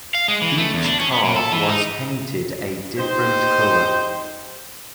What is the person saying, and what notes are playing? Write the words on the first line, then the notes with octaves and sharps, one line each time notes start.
Each car was painted a different color.
F5
G#3
E3
A3
E2
D4
C#4
B3
A#2
A4
E3
D#4
D#4 G4 C5